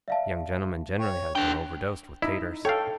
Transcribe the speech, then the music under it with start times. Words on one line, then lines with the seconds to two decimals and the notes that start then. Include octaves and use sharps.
'Young gentlemen generally has been overdosed with taters.'
0.08 D5 E5 F5 A5
0.99 C#5 G5
1.35 D3 D4 B4 G5
2.22 D#4 E4 D#5
2.65 A4 C#5 F5 G5 A5